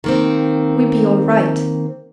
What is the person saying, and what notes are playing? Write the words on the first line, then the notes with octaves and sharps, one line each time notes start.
We be all right.
D#3 A#3 C4